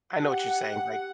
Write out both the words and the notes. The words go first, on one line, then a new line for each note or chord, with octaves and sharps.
I know what you're saying, like
G4 F#5